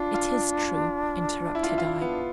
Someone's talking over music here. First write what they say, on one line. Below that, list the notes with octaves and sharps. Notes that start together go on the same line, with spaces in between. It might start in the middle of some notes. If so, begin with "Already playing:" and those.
'It is true,' interrupted I.
Already playing: D4 F4
F4
E4
F4
E4
F4
E4
B3